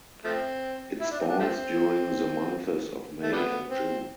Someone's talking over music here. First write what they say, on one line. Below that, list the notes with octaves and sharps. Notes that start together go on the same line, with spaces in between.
It spawns during the months of May and June.
F3 A3 C4
E4
D4
C4
D4
F3 A3 C4
A3
D3 G3 B3
C4